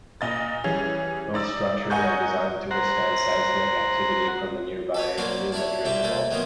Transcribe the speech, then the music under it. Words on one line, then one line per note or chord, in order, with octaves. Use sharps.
Both structures are designed to withstand seismic activity from the nearby New Madrid Fault.
A#2 D#5 A6
E3 G3 C#4 G#4
D#4 D5 E6
A#4 D#5 F#5 G#5 C#6 G6
C5 F#5 A#5
A4 B4 C#5
F#3 A#3 F#4 C5 D5
D4 E4 F#4 C#5
C2 G3 C4 E4 E5 D6
A3 A#3 A4
D#3 F#3 A#3 B3 F4